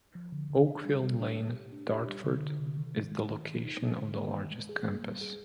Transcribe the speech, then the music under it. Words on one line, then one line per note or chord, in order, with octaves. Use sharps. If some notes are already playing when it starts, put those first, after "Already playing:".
Oakfield Lane, Dartford is the location of the largest campus.
F3
D3
D3
D4
G3
G3
D4
G3
G4
D4
G4
G3
D3
D3
C3
D#3
G#3
G#3
D#3
D#3
D#4
A#3
D3
A#3
D#3
G#3
G#4
A#3
G3
G#4